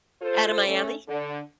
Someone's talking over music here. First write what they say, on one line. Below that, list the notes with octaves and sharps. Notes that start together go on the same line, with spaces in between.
Outta Miami?
F4 A4 C5
A3 C#4
D3